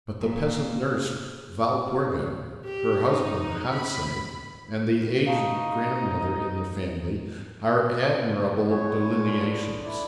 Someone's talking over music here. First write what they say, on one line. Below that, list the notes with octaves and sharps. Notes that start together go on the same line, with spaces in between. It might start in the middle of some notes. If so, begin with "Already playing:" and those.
But the peasant-nurse Walpurga, her husband Hansei, and the aged grandmother in the family, are admirable delineations.
A#2
G4
D#4
B5
D#4 F5 A5 C#6
F3 B3 C#4 C#5
D3 F4
D4 E4 D5